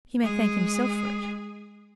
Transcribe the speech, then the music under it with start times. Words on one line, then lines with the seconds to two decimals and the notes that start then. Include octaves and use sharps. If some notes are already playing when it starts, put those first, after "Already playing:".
"He may thank himself for it."
0.21 G#3 G#4